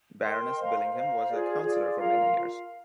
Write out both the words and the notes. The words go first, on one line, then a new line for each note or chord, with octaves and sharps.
Baroness Billingham was a councillor for many years.
A#4 D#5 G5 C6
C5 F5 A#5
C5 F5 A#5
F4 G#4 D5
F4 G#4 D5
F4 A#4 F5 A#5